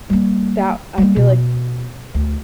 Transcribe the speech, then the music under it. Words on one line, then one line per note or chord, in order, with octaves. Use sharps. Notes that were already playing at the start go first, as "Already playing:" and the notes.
that I feel like
G3 A#3
G3 A#3
B2
D2